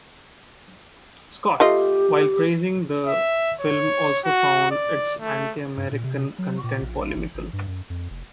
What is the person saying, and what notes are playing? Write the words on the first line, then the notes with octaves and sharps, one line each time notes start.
Scott, while praising the film also found its anti-American content polemical.
A3 F4 G4 D#5
E5
C#5
F#4
D5
A3
G2
A#2
C3
F#3
A#2
A#1
G#1
G#1
G2
F#2
F2
F1